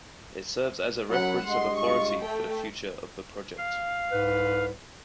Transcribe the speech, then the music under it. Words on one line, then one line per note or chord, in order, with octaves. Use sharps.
It serves as a reference of authority for the future of the project.
F#2 F#3 F#5 B5
G2 G#3 D#5 C6
F4 C#6
A3 G5
F5
C2 G#2 B4